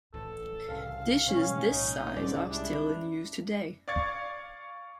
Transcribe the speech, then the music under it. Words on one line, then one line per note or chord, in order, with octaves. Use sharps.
Dishes this size are still in use today.
A1 E4 A4
C2 C#3 F5
B2 E3 G3 C#4
B1 A2 D#4
C2 G#2 G3 G#3 C#4 D5
D4 E4
D5 F5 C#6 G#6 A6 C#7